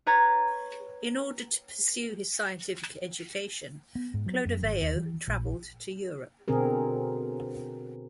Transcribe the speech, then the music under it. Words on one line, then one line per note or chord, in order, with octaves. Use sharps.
In order to pursue his scientific education, Clodoveo traveled to Europe.
B4 C#5 A#5 G#6 A6
B3
G#2
F#3
F#2
G#1
D#2
E3
A#1
B2 D3 C4 G#4 A#4